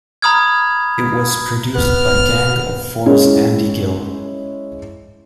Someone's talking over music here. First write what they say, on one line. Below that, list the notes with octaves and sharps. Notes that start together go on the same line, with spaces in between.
It was produced by Gang of Four's Andy Gill.
A#5 B5 D#6 F6 G#6
B3 F6
G#3 C#4 E4